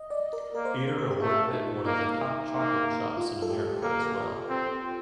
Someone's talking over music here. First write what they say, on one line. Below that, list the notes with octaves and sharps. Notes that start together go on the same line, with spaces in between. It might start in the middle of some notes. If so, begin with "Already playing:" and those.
Eater awarded it one of the top chocolate shops in America as well.
Already playing: D#5
D5
A#4
A#3 A#4
C5
A#4
C5
A#4
G4
A3 F4
D#4
A#3 D#4
A#3
F4
A4
G4
A#3 A4
C4